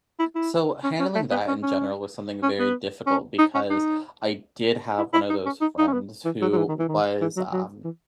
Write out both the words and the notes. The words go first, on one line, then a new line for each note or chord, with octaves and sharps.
So, handling that in general was something very difficult, because I did have one of those friends who was, um
E4
E4
C#4
C#4
A3
B3
C#4
C#4
C#4
B3
C#4
D#4
C#4
D#4
E4
E4
D#4
C#4
D#4
D#4
C#4
B3
E3
F#3
F#3
E3
D#3
E3
D#3
E3
F#3
F#3
E3